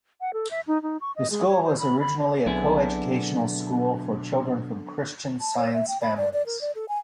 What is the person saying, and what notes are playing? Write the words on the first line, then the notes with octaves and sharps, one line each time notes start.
The school was originally a co-educational school for children from Christian Science families.
F#5
A4
E5
D#4
D#4
C#6
D#5
G#3
C#5
C5
B5
B5
B1 D3 F#3 B3 C4 E4 G#4 A5
B2
A5
C#5
E5
G5
B5
D5
D5
A#4
D5
A4
G#5